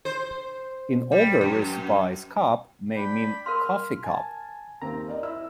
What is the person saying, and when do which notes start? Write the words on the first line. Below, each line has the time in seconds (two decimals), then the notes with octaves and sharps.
In older recipes cup may mean "coffee cup".
0.05 C5
1.12 G3
1.41 F#2
2.96 D4 G5 B5
3.46 A#4 F5 C6 F6
4.04 G#5 A5
4.82 D#2 A#3 C4 A#5
5.08 A#4 D5 D#5
5.23 E4 E6